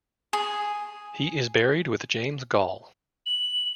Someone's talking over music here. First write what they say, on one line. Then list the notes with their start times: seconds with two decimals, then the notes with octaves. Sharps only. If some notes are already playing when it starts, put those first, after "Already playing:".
He is buried with James Gall.
0.33 G#4
3.26 F#7